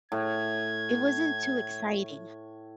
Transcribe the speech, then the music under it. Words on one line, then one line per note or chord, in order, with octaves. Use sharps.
it wasn't too exciting.
A2 G#6